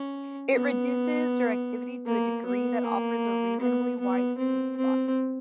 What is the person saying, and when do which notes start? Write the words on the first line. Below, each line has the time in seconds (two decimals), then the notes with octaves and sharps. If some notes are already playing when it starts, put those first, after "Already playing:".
It reduces directivity to a degree that offers a reasonably wide sweet spot.
Already playing: C#4
0.52 B3
2.06 A#3
2.46 B3
2.84 A#3
3.61 B3
4.00 B3
4.38 C4
4.77 C4